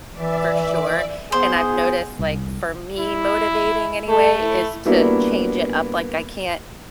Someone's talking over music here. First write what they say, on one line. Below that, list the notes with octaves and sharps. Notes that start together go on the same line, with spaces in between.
for sure, and I've noticed, like, for me, motivating anyway is to change it up, like, I can't
E3 D5 E5
G#2 B3 G#4 C5
C2
E4
A3 A4
E4
G3 A#3 B3 D4 E4 F#4